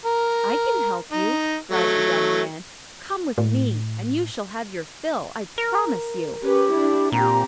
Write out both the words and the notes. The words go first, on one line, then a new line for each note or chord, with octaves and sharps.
"I can help you," cried the young man; "come with me, and you shall have your fill, I promise you."
A#4
D#4
F#3 A3
A2
A#4
C#4 G4 B4
D4 E4
A#2 C4 G4 A#5